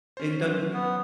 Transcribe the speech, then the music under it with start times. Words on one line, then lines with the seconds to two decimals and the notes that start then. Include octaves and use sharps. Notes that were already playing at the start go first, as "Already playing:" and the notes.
in Dunkin'?
0.17 C#4 C5 A6
0.40 F#3 D#6 G6
0.73 B3